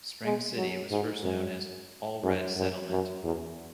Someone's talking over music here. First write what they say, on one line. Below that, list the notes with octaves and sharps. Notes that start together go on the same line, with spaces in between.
Spring City was first known as "Allred Settlement".
G#3
F#3
G#2
F#2
F#2
F#2
F#2
E2